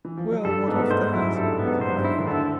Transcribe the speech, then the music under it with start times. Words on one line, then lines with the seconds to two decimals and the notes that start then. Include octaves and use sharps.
"Well, what of that?" replied the younger.
0.05 E3
0.17 F3
0.32 F#3
0.45 G2 G3 A4
0.68 G#2 G#3 B3
0.80 A3
0.90 G#2 G#3 C5
1.13 F#2 F#3 E4
1.36 G2 G3 A4
1.59 B3
1.66 G#2 G#3
1.81 C5
1.90 F#3
1.96 G2 G3
2.05 E4
2.18 D#3
2.27 D2 D3 A4